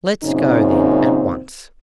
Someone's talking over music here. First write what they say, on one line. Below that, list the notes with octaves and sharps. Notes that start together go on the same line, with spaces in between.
"Let's go then, at once."
F#2 A#2 C#3 C4 D#4